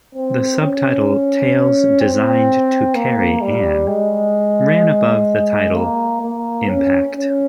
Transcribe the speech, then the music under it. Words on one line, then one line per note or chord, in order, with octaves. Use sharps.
The sub-title "Tales Designed to Carry an" ran above the title "Impact".
C4
C#4
C4
A#3
G3
G#3
A#3
A#3
C#4
C#4